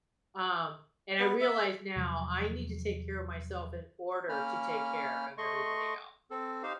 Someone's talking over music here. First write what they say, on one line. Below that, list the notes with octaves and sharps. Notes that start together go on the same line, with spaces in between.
Um, and I realized now I need to take care of myself in order to take care of everybody else.
B3
E5
E2 C3 F3 F#3
A#3 C#4 B5 F6
A3 D#5 C6 C#6
C4 A4
D#4 G4 C5 F5